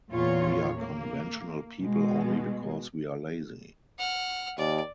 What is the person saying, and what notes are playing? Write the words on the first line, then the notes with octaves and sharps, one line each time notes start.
We are conventional people only because we are lazy.
E2 A#2 F4 C#5
A#3
B2 G#3
F#5 F6
D#2 D5